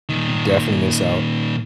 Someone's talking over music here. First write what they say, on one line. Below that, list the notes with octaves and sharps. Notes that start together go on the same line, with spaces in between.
Y you definitely miss out.
A#2 D#3